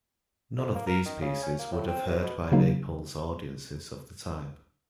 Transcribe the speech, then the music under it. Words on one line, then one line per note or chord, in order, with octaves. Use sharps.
None of these pieces would have heard by Naples' audiences of the time.
F2
A#3
A#4
D#3
C#3
C#4
A#3
A2
C4
F#2
B2
C#3 F#3 A#3 D#4